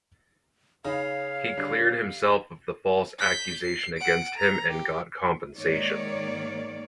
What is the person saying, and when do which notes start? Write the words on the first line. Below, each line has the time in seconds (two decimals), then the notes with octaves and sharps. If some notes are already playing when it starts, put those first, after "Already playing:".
He cleared himself of the false accusation against him and got compensation.
0.85 C#3 D#4 C#5 F5 B5
1.57 D3 G3
3.18 G6 B6
3.61 C7
3.98 F#5 D7
4.38 A#5
4.69 G4
5.59 G#2 D#3 A#3 C#5 D5